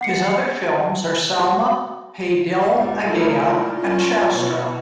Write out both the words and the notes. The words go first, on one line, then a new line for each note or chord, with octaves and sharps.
His other films are "Salma Pe Dil Aa Gaya" and "Shastra".
F#5 C7 C#7
F#4
G1 A#2 G3 G#3
A#2 G#3 A3 D#4 E4 A#4
F4
C#4 C#5 A5
B2 E3 F#4 C#5